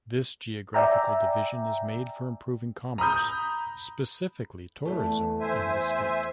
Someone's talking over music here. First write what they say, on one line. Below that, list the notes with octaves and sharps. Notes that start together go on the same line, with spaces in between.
This geographical division is made for improving commerce, specifically tourism, in the state.
D5 E5 G5 G#5 A#5
A#5 B5 D#6 G6
E2 A3
C5 E5 G#5